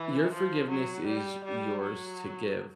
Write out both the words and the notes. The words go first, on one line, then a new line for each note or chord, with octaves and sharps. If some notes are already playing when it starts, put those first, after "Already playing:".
your forgiveness is yours to give,
Already playing: E3
F3
F#3
G3
G3
F#3